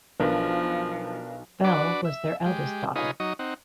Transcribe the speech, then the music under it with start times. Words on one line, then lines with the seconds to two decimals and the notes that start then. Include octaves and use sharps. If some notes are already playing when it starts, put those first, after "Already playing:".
Bell was their eldest daughter.
0.20 B1 F3 D4 A#4 B4
1.64 D4 F#4 B4 D5
2.04 E5
2.46 G#3 G4
2.96 D#4 F4 G#4 B4 C#5 D#5
3.20 F#3 D#4 D#5 C#6
3.39 C4 D#4 F#5